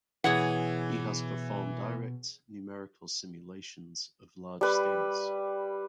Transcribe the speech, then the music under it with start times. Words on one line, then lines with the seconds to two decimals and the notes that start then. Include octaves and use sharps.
He has performed direct numerical simulations of large scales.
0.24 B2 E3 G#4 C#5 F#5
4.61 G3 B4